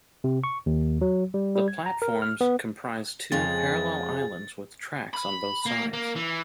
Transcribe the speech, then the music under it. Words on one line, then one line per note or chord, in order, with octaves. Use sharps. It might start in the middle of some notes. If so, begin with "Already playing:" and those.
The platforms comprise two parallel islands with tracks on both sides.
C3
C#6
D#2
F#3
G3
G3
G#6
A#5
A#4
F6
B3
F2 C#3 F3 G#3 G#4 A6
B5
A#3
A#3
E3